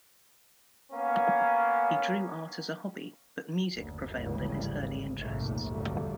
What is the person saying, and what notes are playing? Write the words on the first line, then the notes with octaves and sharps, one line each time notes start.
He drew art as a hobby, but music prevailed in his early interests.
A#3 B3 C#4
F#1 D2
G#1 D2 A2 C#3 E3 G3
A#1 D#2 G#2 C3 A3
G#1 F2 D3 F#3 G3 A3